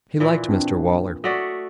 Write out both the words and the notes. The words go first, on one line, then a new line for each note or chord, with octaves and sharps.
He liked Mr Waller.
A#2 E3
C4 D4
A3 F#4 D5 D#6 B6 C#7